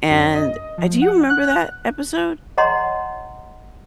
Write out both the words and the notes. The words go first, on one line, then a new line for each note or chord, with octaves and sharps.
and uh, do you remember that episode?
F#2
D#5
F3
F#5
F#6
C#5 D#5 F#5 A#5 C6